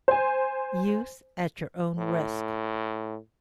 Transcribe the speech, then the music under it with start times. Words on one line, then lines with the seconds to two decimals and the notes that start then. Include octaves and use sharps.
Use at your own risk.
0.08 C5 G#5
1.98 A2